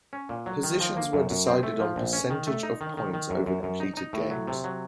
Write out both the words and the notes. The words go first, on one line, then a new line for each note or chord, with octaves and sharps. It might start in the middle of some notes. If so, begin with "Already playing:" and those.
Positions were decided on percentage of points over completed games.
C#4
A#2
F#3
D#3
F3
A#3
F#2
F#2
C4
A3
F3
A#1
C#4
D#3
A3
D#4
D#3
D#3
D#3
F#2
F#2
F#2
D#4
D#4
A2
F#3
C3
F#3